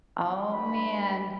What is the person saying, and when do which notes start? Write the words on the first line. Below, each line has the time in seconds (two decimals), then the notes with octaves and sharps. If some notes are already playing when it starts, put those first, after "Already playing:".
oh man.
0.53 G2 B5